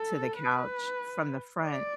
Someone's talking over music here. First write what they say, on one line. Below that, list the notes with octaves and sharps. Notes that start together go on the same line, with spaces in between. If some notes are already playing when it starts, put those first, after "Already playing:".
to the couch from the front.
Already playing: A4
B4
D5